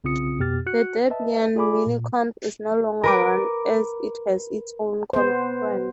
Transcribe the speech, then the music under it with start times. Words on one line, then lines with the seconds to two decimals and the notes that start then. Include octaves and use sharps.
The Debian Miniconf is no longer run as it has its own conference.
0.04 B1 C#3 C4 F4 D#6 C#7
0.39 F2 B2 B3 G4 F6 A6
0.66 F#4 F#6 C#7
1.10 B4 D#5 E5 A5
1.55 F4 G#4 D5 G#5 B5 D6
1.86 A#2
3.03 A#4 B4 D6
5.13 B3 C5